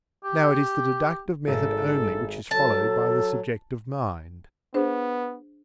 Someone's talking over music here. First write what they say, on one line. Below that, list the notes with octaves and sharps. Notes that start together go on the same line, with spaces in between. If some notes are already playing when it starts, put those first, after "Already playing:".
Now it is the deductive method only which is followed by the subjective mind.
G4
G#1 A4
F#3 A4 A5
B3 D4 G#4 C5